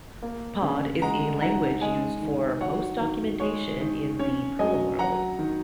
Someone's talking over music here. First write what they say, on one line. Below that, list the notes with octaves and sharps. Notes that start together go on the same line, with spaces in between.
Pod is the language used for most documentation in the Perl world.
A#3
C#3
G#3 F#5 A#5
D#3 F#5 A#5
G#3 D#5 G#5
D#3
F#3 C#5 F#5
D#3
G#3 C#5
D#3
C#4 C#5
F#3 D#5 G#5
F#3 F#5 A#5
D#3